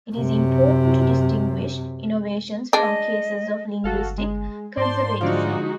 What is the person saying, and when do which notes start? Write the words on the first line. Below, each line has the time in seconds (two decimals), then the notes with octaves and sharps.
It is important to distinguish innovations from cases of linguistic conservatism.
0.16 F#2 C3
2.73 G#3 D4 D#5
3.84 G1 F#4 A4 F5
4.18 G#3
4.77 G#2 C5 D5 A5 C6
5.21 D3 F3 G#3 D#4 F#4 D5 F5